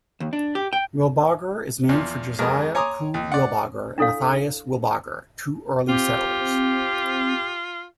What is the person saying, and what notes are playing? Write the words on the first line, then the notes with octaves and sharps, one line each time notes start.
Wilbarger is named for Josiah Pugh Wilbarger and Mathias Wilbarger, two early settlers.
D#2
D4
G4
G5
E2 F3
F2 G#3 A#4
C#5 G#5 A#5 C6 D6 D#6
D#2
D5 F#5
D4 E4 A4 C#5 F5
C4 F4 G4